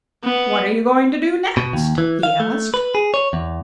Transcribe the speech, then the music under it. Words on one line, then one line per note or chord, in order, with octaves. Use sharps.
"What are you going to do next?" he asked.
B3
B2
D#2
E3
F5
A3
B4
G#4
C#5
E2